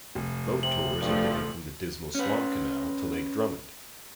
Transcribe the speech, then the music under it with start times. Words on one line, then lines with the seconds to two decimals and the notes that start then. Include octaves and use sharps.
Boat tours are given from the Dismal Swamp Canal, to Lake Drummond.
0.15 F1
0.63 C3 F#7
1.01 G2 D3 F3 A3
2.15 C#4 B4